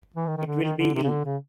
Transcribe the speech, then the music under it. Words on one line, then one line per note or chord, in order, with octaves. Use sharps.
It will be ill.
E3
D#3
D#3
D3
D#3
D3
C3
C#3
D3
C#3